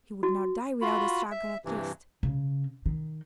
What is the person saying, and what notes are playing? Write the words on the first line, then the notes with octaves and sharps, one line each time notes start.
He would not die without a struggle at least.
F#4
F4 F#4 B5
E5
G2 C3 E3
C#3
D#3